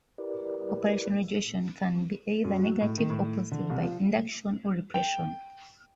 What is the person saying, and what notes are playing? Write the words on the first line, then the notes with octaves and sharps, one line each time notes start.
Operon regulation can be either negative or positive by induction or repression.
E4 G4 A#4 B4 D5
F#2
F#3
A2
D#3
A2
D3
C2
F3
G5